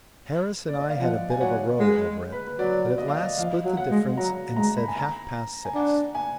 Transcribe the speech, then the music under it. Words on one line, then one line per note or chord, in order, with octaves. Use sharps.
Harris and I had a bit of a row over it, but at last split the difference, and said half-past six.
D5
D#5
F5
F3 F#5
G#5
F#3 F#5
G#3 F#5
B4
B4
F#3 D5
D#5
F5
D#5
F3 F5
F#3
F#5
G#3
F#3 A#5
G#3 A#5
B5
G#5
A#5
G#5
D4 F#5
G#5